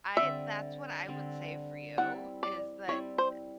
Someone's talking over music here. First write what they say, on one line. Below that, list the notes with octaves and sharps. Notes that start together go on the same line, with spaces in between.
I that's what I would say for you, is that, uh uh,
D3 G3 C4 E5
D3 G3 C4
G3 C4 E4 F#5
D5
G3 C4 E4 C#5
C5